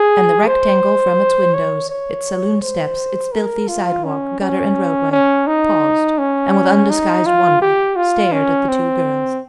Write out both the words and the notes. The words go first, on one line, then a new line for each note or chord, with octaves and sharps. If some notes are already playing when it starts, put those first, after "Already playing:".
And the Rectangle from its windows, its saloon steps, its filthy sidewalk, gutter and roadway, paused, and with undisguised wonder stared at the two girls.
Already playing: G#4
C5
C#5
C#5
C5
A#4
F4
C#4
C#4
C#4
D#4
C#4
D#4
F4
G4
F4
C#4
C4